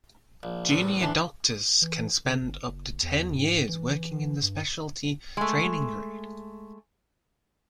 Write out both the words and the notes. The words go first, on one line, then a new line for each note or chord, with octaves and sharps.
Junior doctors can spend up to ten years working in the speciality training grade.
A#1
E2 A2 C4
E3 D4 C6
E3
C#3
G1
F#1
E2
G#2
E3
G2
G#3 A3